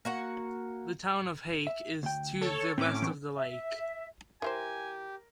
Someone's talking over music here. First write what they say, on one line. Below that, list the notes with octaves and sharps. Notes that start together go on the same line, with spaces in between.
The town of Hayq is to the west of the lake.
A#3 F#4 F#5
E5
D2 G5
A4 C#5
A2 C4 C#4 D6
E3 B3 C4
E5
E3 F4 G4 A#4 C5 G#5